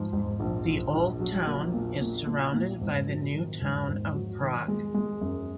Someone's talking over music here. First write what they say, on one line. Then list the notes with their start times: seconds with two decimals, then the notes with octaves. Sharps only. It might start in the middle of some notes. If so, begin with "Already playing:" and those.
The Old Town is surrounded by the New Town of Prague.
Already playing: G#2 F3
0.13 G#2
0.40 A#1
0.66 A#1
0.93 A#1
1.20 F#3
1.47 A#3
1.74 A#2
2.01 A#2
2.27 A#2
2.54 A#2
2.81 G#2
3.08 F#3
3.34 D#3
3.61 G#2
3.88 G#2
4.14 F#3
4.41 D#3
4.68 G#3
4.94 G#3
5.21 F#2